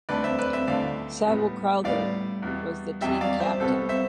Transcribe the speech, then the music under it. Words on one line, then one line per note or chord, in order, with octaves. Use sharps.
Saville Crowther was the team captain.
D2 D3 A3 B4 D5
C5 E5
B4 D5
C5 E5
D2 D3 A3 D5 F5
A2 G3 B3
A2 G3 B3 D5 F5
E2 B2 G3
E2 B2 G3 E5 G5
D5 F5
C5 E5
C2 B2 G3 B3 A4 C5
C5 E5